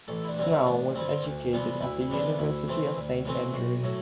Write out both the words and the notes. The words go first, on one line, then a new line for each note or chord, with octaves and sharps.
Snell was educated at the University of St Andrews.
A1 A4
E4
D4
G2 D3 G3 C4
E4
A1 D4
G2 D3 G3 C4
D2
C3 E3 G3 B3
D2 E4
E4
C3 E3 G3 B3
D4
D2 E4
C3 E3 A3 C4
D2
C3 E3 A3 C4
B1 F#4
A2 F#3 A3